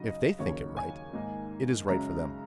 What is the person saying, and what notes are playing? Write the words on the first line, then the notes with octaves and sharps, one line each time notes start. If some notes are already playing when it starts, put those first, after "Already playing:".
If they think it right, it is right for them.
Already playing: C#3 F#3 D#4 D#5
D#2 C#3 F#3 A#3 C#5
G#5
G#2 D#3 A#3 D#4
F#2 C#3 G#3 C#4 A#5